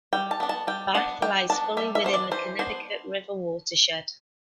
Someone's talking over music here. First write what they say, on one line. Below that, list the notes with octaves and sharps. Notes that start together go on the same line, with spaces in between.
Bath lies fully within the Connecticut River watershed.
G3 G5
A5
B3 D4
A5
G3 G5
B3 D4 F#5
G3 G5
B3 D4 A5
G3 E5
E5
B3 D4 C5
D5
E3 C5
B3 D4 C5